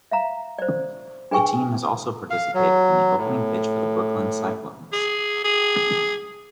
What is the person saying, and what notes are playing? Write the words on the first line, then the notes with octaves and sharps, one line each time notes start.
The team has also participated in the opening pitch for the Brooklyn Cyclones.
E5 F5 A#5
C5 D5
D4 G#4 B4 G5 G#5 C#6
F5
F#3
A2
G#4
G#4